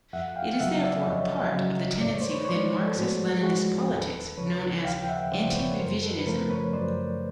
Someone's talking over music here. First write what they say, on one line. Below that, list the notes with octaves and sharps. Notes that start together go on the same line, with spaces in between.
It is therefore part of the tendency within Marxist-Leninist politics known as anti-revisionism.
F2 E5 F#5
F#5
F5 G5
F5
C#3 F#3 E5 F#5
D5 E5
F2 C#5 D#5
C#3 F#3
A2 D5
C#5
C5
B4 C#5
C#5
F3 G#3 C5 D5
A4
A2 F#4 G#4
F3 G#3 F#4 G#4
D#2 A4 B4
C#3 F3 B4 C#5
D#2 F5 G5
G5
E5 F#5
C#3 F3 C5 D5
B4 C#5
F#2 A#4 C5
A4 B4
B4
C#3 F3 A3 A#4 C5
B4 C#5
F#2 C5 D5